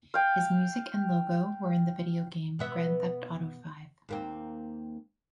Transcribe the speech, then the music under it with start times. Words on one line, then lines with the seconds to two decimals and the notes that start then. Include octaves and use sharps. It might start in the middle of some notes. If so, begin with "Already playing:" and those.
His music and logo were in the video game "Grand Theft Auto V".
0.14 F5 G5
2.59 B2 B3 E5
4.09 D#2 A#3 C4